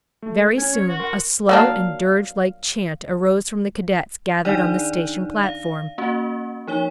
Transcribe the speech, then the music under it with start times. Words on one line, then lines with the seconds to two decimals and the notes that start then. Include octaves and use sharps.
Very soon a slow and dirge-like chant arose from the cadets gathered on the station platform.
0.22 A3
0.58 C#4 G#5
0.73 C#5
0.88 F#4
0.99 A#4 F#5 C6
1.49 F#3 A#3 D4 F5
4.45 D#3 D4 D#4 D5 D#7
5.43 F5
5.98 A#3 C#4 F#4
6.68 F3 D#4 C#5 G7